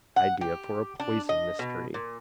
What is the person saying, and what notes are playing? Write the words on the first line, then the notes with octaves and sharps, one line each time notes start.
Idea for a poison mystery.
F#5
G4
D4
D#5
B2
A#2